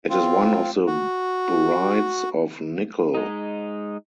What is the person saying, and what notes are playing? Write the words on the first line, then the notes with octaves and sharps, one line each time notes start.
It is one of the borides of nickel.
C4 F4
F#4
G#3 D#4